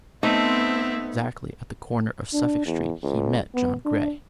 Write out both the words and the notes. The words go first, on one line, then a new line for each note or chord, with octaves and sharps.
Exactly at the corner of Suffolk Street he met John Grey.
A3 B3 C4 D#4 C5 E5
D4
E2
C#2
B3
D4